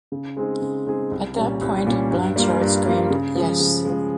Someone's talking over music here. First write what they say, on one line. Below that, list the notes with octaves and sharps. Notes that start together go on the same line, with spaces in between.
At that point, Blanchard screamed Yes!
C#3
G#3 C4 D#4 G#4
C#3
G#3 C4 D#4 G#4
C2
A#2 G3 C#4
C2
A#2 G3 C#4
G2
G3 A#3 F4
G2
G3 A#3 F4
C#3
F3 G#3
C#3
F3 G#3